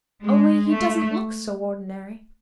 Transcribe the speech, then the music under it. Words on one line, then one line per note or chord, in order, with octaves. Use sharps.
Only he doesn't look so ordinary.
G#3
A3